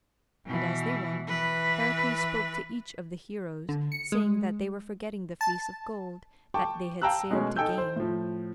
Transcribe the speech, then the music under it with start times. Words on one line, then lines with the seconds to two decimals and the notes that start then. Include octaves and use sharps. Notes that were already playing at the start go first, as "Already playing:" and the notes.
And as they went, Heracles spoke to each of the heroes, saying that they were forgetting the Fleece of Gold that they had sailed to gain.
0.46 B2 E3
1.28 E3 B4
3.69 D3
3.92 C#7
4.12 G#3
5.41 A5
6.54 G5 A5 C#6 D6
7.02 F5 G5 A5 A#5 E6 F#6
7.31 B2 G#3 A3 C#4
7.56 D#4 A4 G5 G#5 E6 G6
7.78 C5
7.96 A2 F3